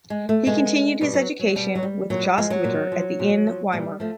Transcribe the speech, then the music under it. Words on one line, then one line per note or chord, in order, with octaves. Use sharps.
He continued his education with Jost Witter at the in Weimar.
G#3
A3
B2 G#3
B2 G3
F#3
F#3
B2 G3
F#3
G3
A#2 F#3
G3
F3 G#3
F#3
A#2
F3
A#2
F3
A#2 G3
F3 A3